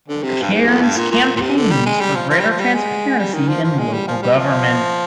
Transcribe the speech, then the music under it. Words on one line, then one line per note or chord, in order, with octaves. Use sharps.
Cairns campaigns for greater transparency in local government.
D3
C3
G2
G#2
F2
G2
A#2
A#2
A#2
C3
D3
G3
G#3
G3
F3
F3
G3
F3
G3
G#3
G3
D#3
F3
F3
G#3
G3
F3
G3
F3